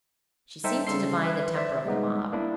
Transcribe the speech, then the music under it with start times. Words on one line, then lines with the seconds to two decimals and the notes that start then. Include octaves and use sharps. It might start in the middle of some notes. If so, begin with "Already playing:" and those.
She seemed to divine the temper of the mob.
0.64 G3 D#4 A4 C5 E5 G5
0.87 C#3 G3 A4 C6 C7
1.24 B4 E5
1.56 C5 D5 E5
1.86 G3 G#3 B3 D#4
2.32 A#3 D4 E4